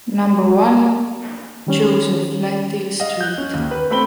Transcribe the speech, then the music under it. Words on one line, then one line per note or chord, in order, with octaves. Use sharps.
Number one, Joseph Latil street.
D#3 G3 C#4
D#5 F5
F#6 G6
C#4
D#2
B4
A3 C4 B5 G7